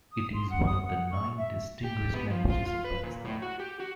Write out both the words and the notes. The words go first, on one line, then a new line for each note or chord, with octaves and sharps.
It is one of the nine distinguished languages of Pakistan.
D#6
C6
F#5
D#6
F#5
C#6
E5
G4
B3
F3
F4
F4
B4
A#2
A2
F#4
G4
F#4